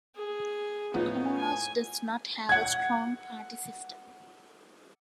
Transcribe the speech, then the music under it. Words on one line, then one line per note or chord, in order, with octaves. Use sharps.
Comoros does not have a strong party system.
G#4
A2 F3 B3 D#4
G#5
F#5 G#6